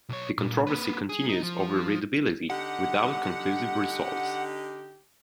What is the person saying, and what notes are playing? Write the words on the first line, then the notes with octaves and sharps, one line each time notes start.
The controversy continues over readability, without conclusive results.
B1 C#5
A#2
A#3 B4
G#4
D#4
F3
D3 D#4 G4 F#5